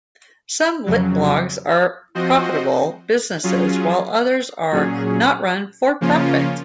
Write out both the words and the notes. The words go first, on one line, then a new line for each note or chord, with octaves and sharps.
Some litblogs are profitable businesses while others are not run for profit.
F2 C#3 F#3
F3 C4 F#4 C5 D#5
F#3 C#4 F4 G#4
A#2 F#3 C#4 G#4
C#3 F3 A#3 C#4 F4